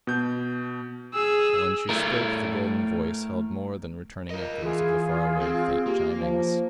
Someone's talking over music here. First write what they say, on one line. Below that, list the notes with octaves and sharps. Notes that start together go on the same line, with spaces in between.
And when she spoke the golden voice held more than returning echoes of the far-away, faint chimings.
B2 G6
G#4 E6
A3 E4 A#4
F4 A#4 D#5
E3 F4 G#4
C4
A#3 G4
F3